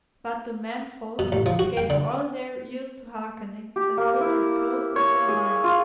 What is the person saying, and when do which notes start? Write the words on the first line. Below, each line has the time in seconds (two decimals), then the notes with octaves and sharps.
But the men-folk gave all their ears to hearkening, and stood as close as they might.
1.19 B2
1.32 A1
1.46 F3
1.59 F#4
1.77 G5
1.90 D3
3.76 G4
3.97 A#3
4.21 E4
4.96 C#5
5.28 G#4
5.64 F4